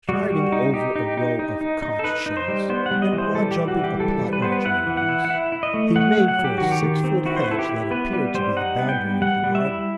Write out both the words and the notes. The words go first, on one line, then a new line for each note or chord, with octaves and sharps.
Striding over a row of conch-shells and broad-jumping a plot of geraniums, he made for a six-foot hedge that appeared to be the boundary of the garden.
G3 F#4
G3
D#4
D#4 G4
D#4
D#4
D#4
D#4
D#4
A4
D#4 B4
D#4
C5
G3
B3 C5
F#5
G3
D#5
E3
C5
G3 A4
G4
E3
F#4
E3
G4
G3 A4
G3
B4
B3 C5
B4
E4 F#5
E3
F#5
E4
F#5
E4 E5
E4
D#5
A3
A3 F#5
F#5
F#3
F#5
F#3
G4
D#3 F#4
G4
D#3
C4
E4 F#4
C5
B4
E4 A4
G4
E4
B3 B4
G3 B4
G3 C5
D#4 F#5
B3
G5
G3
G3 F#5
G3
E5
E4